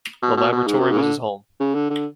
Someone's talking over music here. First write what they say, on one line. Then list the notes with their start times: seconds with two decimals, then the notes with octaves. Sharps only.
The laboratory was his home.
0.22 B2
0.37 B2
0.52 B2
0.67 G#2
0.79 F#2
0.91 G#2
0.98 C#3
1.02 D3
1.60 C#3
1.74 D3
1.90 D3